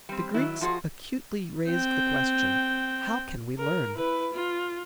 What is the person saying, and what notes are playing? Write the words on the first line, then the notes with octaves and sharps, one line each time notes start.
The Greeks acutely raised the question: How can we learn?
G3 C4
D#3 F#3 E4
F3 F4 F#4 G#4
C4 G5
A#4
E4 B4
F4